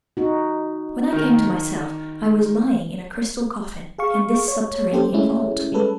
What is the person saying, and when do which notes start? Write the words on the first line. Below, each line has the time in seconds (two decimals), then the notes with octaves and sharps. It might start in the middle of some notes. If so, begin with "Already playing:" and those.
'When I came to myself I was lying in a crystal coffin in this subterranean vault.
0.17 D#4 F#4
1.13 D#3 A#4
3.98 G#4 F5 C#6
4.48 C#5
4.92 A#3 C#4 G4 A4 C5
5.13 G#3 A3 C#4 E4
5.72 G3 G#3 C#4 A4 B4